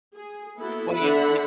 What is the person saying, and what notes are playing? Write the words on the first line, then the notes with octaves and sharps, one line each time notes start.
Well, you in i
G#4
A#3 B3 E4 F#4 A4
D3 E5 F#5 B5